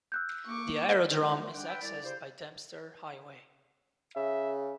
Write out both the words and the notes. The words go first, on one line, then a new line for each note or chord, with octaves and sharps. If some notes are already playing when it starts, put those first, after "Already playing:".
The aerodrome is accessed by Dempster Highway.
E6 F#6 G6
A#3 C#6 D6
G#3 C#4 D#4
A3
G3 D4 F#5 G5
B4 E5 F#5 G5 B5
C2 D5
C#3 E4 G4 C5
C#3 E5